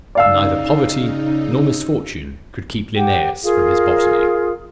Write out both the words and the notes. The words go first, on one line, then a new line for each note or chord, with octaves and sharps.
Neither poverty nor misfortune could keep Linnaeus from his botany.
C#3 D#4 D5 F5 E6
G4 F#5 G5
F4 G#4 A#4 F5